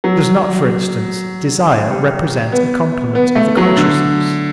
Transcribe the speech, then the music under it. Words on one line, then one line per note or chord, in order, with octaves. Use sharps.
Does not, for instance, desire represent a complement of the consciousness?
F#3
G3
B3
B3
A3
F#3
D3